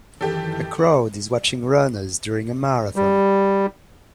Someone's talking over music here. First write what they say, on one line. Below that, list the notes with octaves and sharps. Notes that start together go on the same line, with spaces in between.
A crowd is watching runners during a marathon.
F#2 D#3 E3 G4 A4
F#5
G3